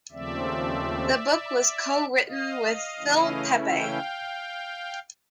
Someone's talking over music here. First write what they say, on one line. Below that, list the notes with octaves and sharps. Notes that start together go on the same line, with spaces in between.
The book was co-written with Phil Pepe.
D#2 C#3 F3 A3 C4 D5 E5
D#5 F5
C#3 E3 A3 C#4 E4
F5 G5